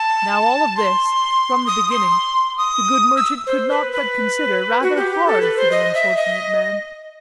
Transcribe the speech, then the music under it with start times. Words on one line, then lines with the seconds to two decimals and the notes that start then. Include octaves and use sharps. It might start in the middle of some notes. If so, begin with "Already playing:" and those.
Now all of this, from the beginning, the good merchant could not but consider rather hard for the unfortunate man.
Already playing: A5
0.77 C6
1.67 D#6
1.90 C6
2.58 D#6
3.17 E6
3.47 C5
3.70 B4
3.92 B4
4.82 F#4
4.96 G4
5.11 G4
5.27 A4
5.41 B4
5.57 C5
5.71 D#5
5.95 E5
6.17 D#5